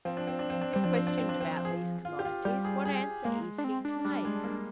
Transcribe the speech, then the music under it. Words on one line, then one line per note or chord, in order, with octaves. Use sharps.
If questioned about these commodities, what answer is he to make?
F3 C4
D4
C4
D4
C4
D4
G3 C4
F3 D4
C4
D4
C4
D4
C4
G#4
F4
G4
F4
G3 G4
G#4
G#4
G#3 A#3
D4
C4
D4
G3
G#3
A#3